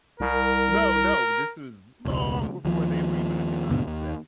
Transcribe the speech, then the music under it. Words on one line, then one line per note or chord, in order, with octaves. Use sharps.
No. No. This was long before they were even a concept.
C2 A#4
E1 C#2
D#2 F3
D#2 G#2 B2 D3
D#2